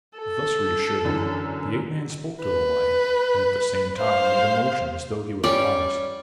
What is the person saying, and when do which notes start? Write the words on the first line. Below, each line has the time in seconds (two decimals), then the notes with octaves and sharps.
Thus reassured, the ape-man spoke to the lion and at the same time made a motion as though he would arise.
0.18 A4
1.04 F#2 D3 E3
2.41 B4
3.96 C5 F5
5.44 G3 C#4 D5